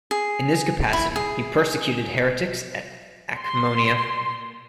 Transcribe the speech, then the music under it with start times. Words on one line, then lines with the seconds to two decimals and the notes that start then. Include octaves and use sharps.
In this capacity he persecuted heretics at Akmoneia.
0.11 G#4
0.93 E4
1.16 G#4
3.39 C6